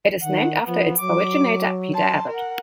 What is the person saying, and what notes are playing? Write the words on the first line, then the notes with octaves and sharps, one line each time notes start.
It is named after its originator, Peter Abbott.
D#3 F#5
F3 B3
F#3 D6
A5 C6
A#4 F#5